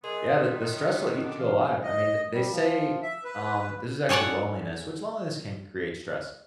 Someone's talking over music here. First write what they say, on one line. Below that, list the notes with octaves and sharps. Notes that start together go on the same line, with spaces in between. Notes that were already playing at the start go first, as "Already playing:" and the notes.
Yeah, the the stress will eat you alive. I mean, th they say, um, this is actually loneliness, which loneliness can create stress.
C3 F#3 B3 G#4 A#4 D#5 C6
D#3
C3 D4 A4 F#5 A5 D6
E3 F5
D#5
G3
F3
E5
B4
G#4 A4 C#5 D5 F#5